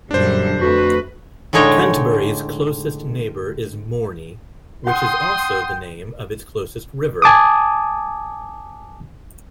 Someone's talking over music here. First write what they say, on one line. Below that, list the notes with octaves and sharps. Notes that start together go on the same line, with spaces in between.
Canterbury's closest neighbour is Morney which is also the name of its closest river.
F#2 A#2 D3 G3 D4 C5
F2 A3 F#4 B4
A2 D3 G#3 D#4 C#5 G5
F#5 G5 C6 D#6
G#5 A5 D6 D#6